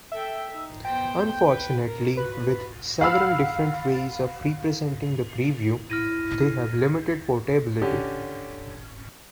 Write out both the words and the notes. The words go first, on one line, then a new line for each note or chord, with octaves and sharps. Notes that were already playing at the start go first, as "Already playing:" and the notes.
Unfortunately, with several different ways of representing the preview, they have limited portability.
A4 E5 G5
D#4
B3 C5 G5
B4
A#4
F#4 B4
F5 F#5 B5 E6 F6
E4 F6 A#6 D#7
D3 C#4 G4